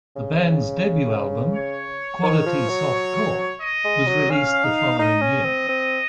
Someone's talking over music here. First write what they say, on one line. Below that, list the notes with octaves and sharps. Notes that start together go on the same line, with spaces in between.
The band's debut album, "Quality Soft Core", was released the following year.
C#3
C#5
D#3 C#5
F3
F#3
D#5
G#3
F#3
C#4 F5
D#4
D#4 D#5
C#4
C4
C4